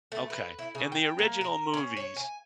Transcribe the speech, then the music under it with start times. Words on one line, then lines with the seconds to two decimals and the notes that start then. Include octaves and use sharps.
Okay. In the original movies,
0.12 A3
0.30 B4
0.59 E4
0.75 C#3
0.92 G5
1.19 A#3
1.41 A#4
1.74 C#4
1.97 C#5
2.16 G#5